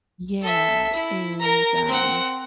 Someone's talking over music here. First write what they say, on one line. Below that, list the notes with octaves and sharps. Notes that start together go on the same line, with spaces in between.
yeah, and, um,
A4 E5
E4
A#4 A#5
C4 F#5